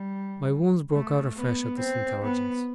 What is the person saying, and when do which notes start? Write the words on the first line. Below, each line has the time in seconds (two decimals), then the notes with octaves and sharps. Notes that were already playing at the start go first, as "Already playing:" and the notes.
My wounds broke out afresh at this intelligence.
Already playing: G3
0.93 A3
1.36 B3
1.79 C4
2.23 B3